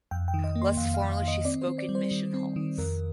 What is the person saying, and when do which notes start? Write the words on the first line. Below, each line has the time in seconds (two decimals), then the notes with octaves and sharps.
Less formally she spoke in mission halls.
0.11 F2 G5
0.28 G5
0.34 D#3
0.44 D#5
0.55 A#3
0.62 C6
0.77 F2 F5
0.94 F5
1.00 F2
1.12 F5
1.22 D#3
1.28 D#5
1.45 C4 D5
1.62 C5
1.67 C4
1.78 D5
1.89 G3
1.95 C5
2.11 D#3
2.34 C4
2.56 D#3
2.78 F2 A#4